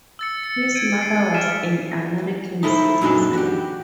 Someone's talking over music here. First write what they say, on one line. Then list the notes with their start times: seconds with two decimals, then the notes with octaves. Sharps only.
His mother was an American citizen.
0.19 E6 A6 C#7
0.43 C#7
0.75 G#6 D7 D#7
1.01 A6 C7 D7
1.34 F6 B6 D#7 E7
2.63 D#4 E4 A4 A#4 C5
3.01 F#2 A#2 D4 D#4 B4
3.33 F#4 G4